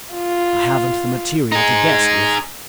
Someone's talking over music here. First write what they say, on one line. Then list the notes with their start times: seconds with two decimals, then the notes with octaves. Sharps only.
I haven't the material to guess with.
0.14 F4
1.52 D#4 G#4